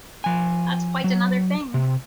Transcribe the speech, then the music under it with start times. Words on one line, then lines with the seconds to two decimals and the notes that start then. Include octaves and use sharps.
That's quite another thing!
0.24 F3 G#5
1.04 F#3
1.74 C3